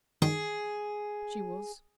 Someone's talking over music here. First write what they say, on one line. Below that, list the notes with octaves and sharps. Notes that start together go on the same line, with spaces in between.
"She was."
D#3 G#4